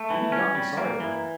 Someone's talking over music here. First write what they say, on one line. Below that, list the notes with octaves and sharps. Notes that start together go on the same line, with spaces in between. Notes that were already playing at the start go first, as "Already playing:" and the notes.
You need not be sorry for her.
Already playing: A3
E3
C#4
G3
A#3
E3